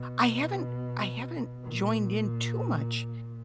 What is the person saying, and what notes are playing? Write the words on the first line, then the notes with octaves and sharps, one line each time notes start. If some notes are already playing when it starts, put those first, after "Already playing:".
I haven't I haven't joined in too much
Already playing: B2
A#2